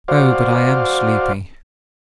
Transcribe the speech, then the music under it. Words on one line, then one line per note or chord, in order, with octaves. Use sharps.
Oh, but I am sleepy!
F#4 C5 D5 F5